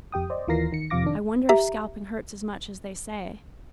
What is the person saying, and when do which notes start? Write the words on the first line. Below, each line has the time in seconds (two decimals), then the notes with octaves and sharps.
I wonder if scalping hurts as much as they say.'
0.12 F2 G4 G5 D#6
0.30 C5 D5 D#5
0.48 D#2 E3 F4 A#4 A#6 C7
0.73 D#3 C#7
0.90 F2 C3 F3 F5 D6 A#6
1.03 D#3 D4
1.49 G4 E5 A#5